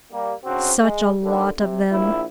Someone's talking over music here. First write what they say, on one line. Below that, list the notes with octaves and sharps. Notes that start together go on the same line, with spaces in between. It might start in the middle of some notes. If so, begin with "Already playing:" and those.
Such a lot of them!
G3 A#3
C#3 C4 D4 F#4
G#3
D#2 D3
C3
A#1 E4